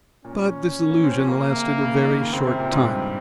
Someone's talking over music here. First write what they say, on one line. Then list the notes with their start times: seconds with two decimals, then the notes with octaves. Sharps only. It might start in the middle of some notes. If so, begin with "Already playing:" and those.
But this illusion lasted a very short time.
0.25 A#2 C#4
0.90 A#3
1.03 C4
1.16 F3
1.28 C#3 A#3
1.55 C3
1.81 C#3
1.94 D#3
2.07 D#3
2.20 C#3
2.33 C#3 C4
2.46 C3
2.59 A#2
2.72 G#2
2.85 G2